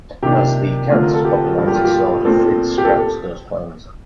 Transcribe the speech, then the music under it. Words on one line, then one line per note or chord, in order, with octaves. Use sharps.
As the character's popularity soared, Frid scrapped those plans.
C3 D#3 A#3 D4 G4
D3 A3 C4 F4
A#4
A4
G4
G2 F3 A#3 A4
G4
F4
G4
A#2 A3 C4 A4
G4
A4